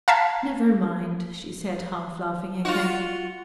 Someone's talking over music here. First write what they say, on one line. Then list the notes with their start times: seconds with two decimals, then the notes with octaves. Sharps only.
"Never mind," she said, half laughing again.
0.08 F5 A5 A#5 G#6 B6
2.65 F4 F#4